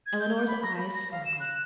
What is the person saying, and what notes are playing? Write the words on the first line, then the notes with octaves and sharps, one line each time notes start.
Eleanor's eyes sparkled.
G#6
G6
B5
A#6
B5
A#6
F5
E7
F#6